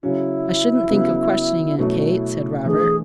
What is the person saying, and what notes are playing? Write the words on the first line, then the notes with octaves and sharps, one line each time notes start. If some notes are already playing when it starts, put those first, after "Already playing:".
"I shouldn't think of questioning it, Kate," said Robert.
C#3 F#3 C#4 E4
C#3 F#3 B3
B2 F#3 A3 C#4 E4 F#4
E3 A3 D4 G#4